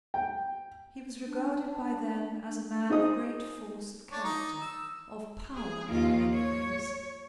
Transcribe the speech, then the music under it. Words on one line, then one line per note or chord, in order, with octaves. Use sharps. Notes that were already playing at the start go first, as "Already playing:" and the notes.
He was regarded by them as a man of great force of character; of power in many ways.
G5
D4
C4 D#4 G#4 D#5 D#6
D4 C#5
D#4
E6
G#4
D#2 F4
C#5